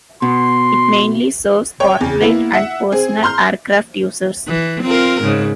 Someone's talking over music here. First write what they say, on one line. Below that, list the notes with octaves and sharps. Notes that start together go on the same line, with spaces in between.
It mainly serves corporate and personal aircraft users.
B2 C6
C#5 G5
E2 C#3
A#3 B3 E4
E5 F#5
C4 G#4
A#5 C6 F6 G6
E3
C4 F4 A#4
G#2 C#3